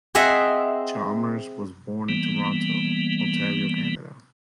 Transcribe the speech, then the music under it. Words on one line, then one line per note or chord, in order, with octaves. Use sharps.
Chalmers was born in Toronto, Ontario, Canada.
C4 G#4 D#5 E5 F#5
E3 G3 A#3 B3